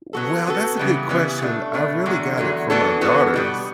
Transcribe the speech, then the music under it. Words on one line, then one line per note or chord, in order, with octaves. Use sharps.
Well, that's a good question, I really got it for my daughters.
F#3 B3 F#4 A4
F#3 B3 F#4 A4
C#3 E3 G3 B3
C#3 E3 G3 B3
B2 A3 D4
B2 A3 D4
E2 D3 F#3
E2 D3 F#3
E3 B3 D4 F#4 A4
E3 B3 D4 F#4 A4
B2 G3 B3